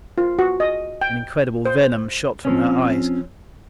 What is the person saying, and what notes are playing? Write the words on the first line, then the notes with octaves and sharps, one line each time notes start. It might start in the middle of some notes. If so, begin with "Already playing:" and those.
An incredible venom shot from her eyes.
F4
F#4
D#5
G5
C5
F3 C4 C#4